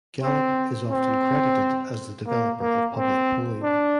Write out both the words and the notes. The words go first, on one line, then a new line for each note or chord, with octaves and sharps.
Gallup is often credited as the developer of public polling.
C4
C4
A#3
A#3
C4
D4